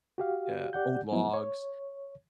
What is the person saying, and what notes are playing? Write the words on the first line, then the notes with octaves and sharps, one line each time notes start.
uh, old logs,
F#4 G4 F5
G4 D5 F#5 G6
F3 F#3 B3 E4
C#5